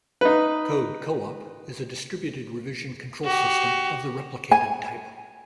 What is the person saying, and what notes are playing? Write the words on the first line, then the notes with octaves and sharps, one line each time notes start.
Code Co-op is a distributed revision control system of the replicated type.
D#4 B4
F#4 G4
G#5